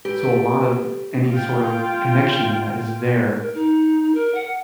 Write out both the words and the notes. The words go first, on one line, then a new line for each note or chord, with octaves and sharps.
So a lot of any sort of connection that is there,
G4 A4 B4
F4 G5
A#4
D#4
A#4
F#5